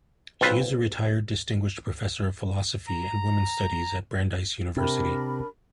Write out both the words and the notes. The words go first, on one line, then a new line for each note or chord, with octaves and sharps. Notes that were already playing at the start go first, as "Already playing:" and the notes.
She is a retired distinguished professor of philosophy and women's studies at Brandeis University.
B1 C4 F4 B4
A#5
C3 D4 A#4 B5